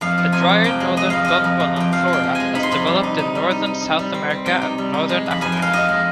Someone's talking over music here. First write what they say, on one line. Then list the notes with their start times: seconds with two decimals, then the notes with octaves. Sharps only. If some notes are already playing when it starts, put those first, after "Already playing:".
A drier northern Gondwanan flora had developed in northern South America and northern Africa.
0.01 F2 F5
0.18 F3
0.32 C3 G#5
0.49 F2
0.64 F2 G5
0.80 G#3
0.96 G#3 D#5
1.10 F2 F5
1.25 F3 D#5
1.44 F2
1.60 C3
1.76 F2 G5
1.92 F3 F5
2.08 G#3
2.13 G5
2.23 F3
2.35 G#5
2.40 G#3
2.55 D#4 B5
2.63 C6
2.71 C3 B5
2.87 G3
3.03 D#4
3.18 D#4
3.35 G3
3.51 D#4
3.66 D#4
3.82 D#4
3.99 G3
4.14 C4
4.30 C4
4.46 C3 G5
4.62 D#4
4.78 G3
4.94 D#4
5.09 G#3
5.26 F2 B5
5.41 F2 G#5
5.52 G#3 G5
5.62 F5
5.73 F2 D#5
5.89 G#3